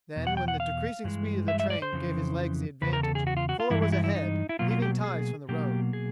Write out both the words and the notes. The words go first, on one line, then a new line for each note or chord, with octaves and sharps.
Then, when the decreasing speed of the train gave his legs the advantage, Fuller was ahead, heaving ties from the road.
E2 B2
F#5
G5
F#5
F5
G2 E3 G#3
E5
E5
D5
C5
F2 C#3 E3
E2 C#3 B4
A#4
A4
G#4
F#4
F4
F#4
F4
G2 E3 G#3 E4
E4
E4
E4
D#4
E4
B2 F#3 A#3 F4
F4
G4
G#4
B2 F#3 A#3 G4
G#4